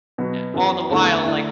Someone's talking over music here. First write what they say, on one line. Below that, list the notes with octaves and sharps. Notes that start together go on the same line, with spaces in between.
eh, all the while, like
B2 F#3 B3 F#4
F#2 E3 B3 F#4
E2 D3 A3 E4 A4
D3 A3 E4